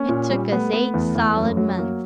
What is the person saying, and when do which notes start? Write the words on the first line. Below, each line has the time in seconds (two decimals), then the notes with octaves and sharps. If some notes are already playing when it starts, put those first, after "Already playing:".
It took us eight solid months.
Already playing: A#3 C#4
0.09 A#2
0.30 G3
0.51 A3 B3
0.73 B3
0.94 E2
1.15 E2
1.36 F#2
1.57 F#3
1.79 A#3